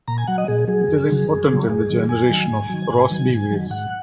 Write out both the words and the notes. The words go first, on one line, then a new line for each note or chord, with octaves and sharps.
It is important in the generation of Rossby waves.
A#2 A#5
G#5
F#3 F#5
D#5
A#2 G#4
F#3 G#4
F#2
C#3 F#3
F#2
C#3 F#3
F#2 G#4
D#3 F#3
F#2 G#5
D#3 F#3
G#2
D#3 F#3
G#2
D#3 F#3
G#2
D#3 F#3
G#2 F#5